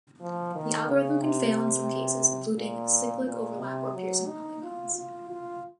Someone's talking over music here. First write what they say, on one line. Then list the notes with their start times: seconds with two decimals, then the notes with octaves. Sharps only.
The algorithm can fail in some cases, including cyclic overlap or piercing polygons.
0.21 F3
0.55 D#3
0.89 C#3
1.22 C3
2.58 A#2
3.26 A#2
3.60 C3
3.94 F#3
4.27 D#4
4.62 F4
4.95 F4
5.30 F4